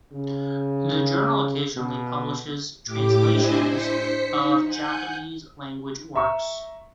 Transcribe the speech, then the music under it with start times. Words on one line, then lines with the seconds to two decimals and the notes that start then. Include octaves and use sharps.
The journal occasionally publishes translations of Japanese language works.
0.12 C#3
1.76 B2
2.85 A2 G4 D6
3.28 D4 E4 C5 D#5 G#5
3.67 C5 B6 C#7
4.26 D#4
4.66 F#5 G#5 F#6 G6
6.16 E5 A#5 C#6